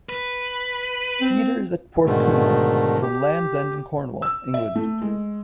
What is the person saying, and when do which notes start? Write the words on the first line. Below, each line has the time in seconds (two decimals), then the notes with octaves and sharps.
The theatre is at Porthcurno, from Land's End in Cornwall, England.
0.09 B4
1.21 C4
2.06 G#2 B2 D3 D#3 A3
3.02 G4
4.22 E6
4.54 E5
4.76 A3
5.02 G#3